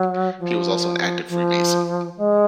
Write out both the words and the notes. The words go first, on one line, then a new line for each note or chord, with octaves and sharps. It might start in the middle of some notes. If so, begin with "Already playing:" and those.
He was also an active Freemason.
Already playing: F#3
F3
F3
G#3